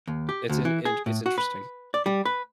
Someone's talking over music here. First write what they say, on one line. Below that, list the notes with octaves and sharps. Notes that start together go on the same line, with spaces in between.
It's an int it's interesting.
D#2
G4
D2
E3
G#4
A2
F#4
B4
D5
G3
B4